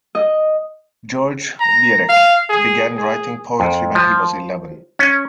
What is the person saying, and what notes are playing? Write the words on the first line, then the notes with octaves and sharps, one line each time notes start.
George Viereck began writing poetry when he was eleven.
D#5
A#5
F5
G#4
G#4
F2
F3
C#4